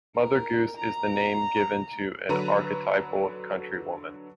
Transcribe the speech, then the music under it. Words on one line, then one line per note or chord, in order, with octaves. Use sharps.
Mother Goose is the name given to an archetypal country woman.
A#4
A#5
D3 F#3 B4 A#5 D#7